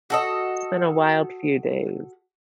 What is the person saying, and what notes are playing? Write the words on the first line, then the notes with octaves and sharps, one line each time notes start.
it's been a wild few days.
F#4 A4 D#5